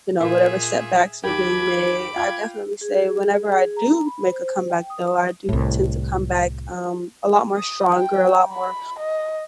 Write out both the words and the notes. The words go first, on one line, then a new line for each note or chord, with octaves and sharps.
you know, whatever setbacks are being made. I definitely say whenever I do make a comeback though, I do tend to come back, um, a lot more stronger, a lot more
A#2 G#4 E5
D#2 G4 B5 D6 G#6
F4 G5 G#6
G#4
G#4
A#5
B5
C5
G5
D#6
C2 A2
D#6
G5
B5
D#5